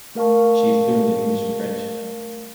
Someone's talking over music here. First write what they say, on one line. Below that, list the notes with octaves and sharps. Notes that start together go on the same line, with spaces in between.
She is fluent in English and French.
A3 A#4 F5 A5 C#6